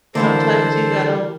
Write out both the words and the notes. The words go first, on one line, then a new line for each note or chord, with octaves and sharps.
Sometimes you gotta
D3 E3 A3 A#3 A4 C5